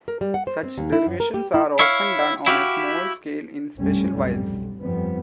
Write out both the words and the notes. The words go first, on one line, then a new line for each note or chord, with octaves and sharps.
Such derivatizations are often done on a small scale in special vials.
A#4
G3
F#5
C5
C4
D#2
E4
F#2
A#4
G4
E4
E4 C#5 F5
E4 F#4 G4 F5
F1 B1 F#2 G3 A3 C#4
B1 F2 G#2 G3 A3
B1
G1 F2 F3 G3 B3